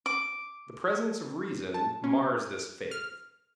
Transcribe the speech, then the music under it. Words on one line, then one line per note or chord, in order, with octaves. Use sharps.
The presence of Reason mars this faith.
D6
A5
C#4
F6